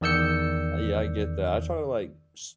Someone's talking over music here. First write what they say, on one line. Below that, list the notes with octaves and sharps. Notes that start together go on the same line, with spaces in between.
Uh, yeah, I get that. I try to, like, s
E2 D#3 D5 E6 G6 C#7